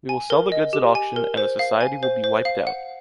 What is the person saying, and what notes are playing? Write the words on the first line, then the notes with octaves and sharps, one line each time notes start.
We will sell the goods at auction, and the society will be wiped out!
G#5
A#4
D#5
G4
G#5
A#4
C5
F5
G#5
C5
C5
F5
F#5